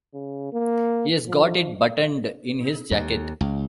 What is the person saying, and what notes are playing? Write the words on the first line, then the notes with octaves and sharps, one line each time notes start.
He's got it buttoned in his jacket.
C#3
A#3
F3
D#2
C#2